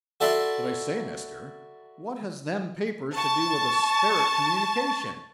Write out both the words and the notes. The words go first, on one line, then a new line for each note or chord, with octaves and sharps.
"But I say Mister, what has them papers to do with a sperit communication?"
F#4 A4 D5 E5 B5 C6
A5 C#6